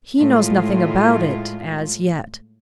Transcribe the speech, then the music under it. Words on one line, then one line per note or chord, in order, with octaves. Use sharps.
"He knows nothing about it,--as yet."
A2 G#3 F4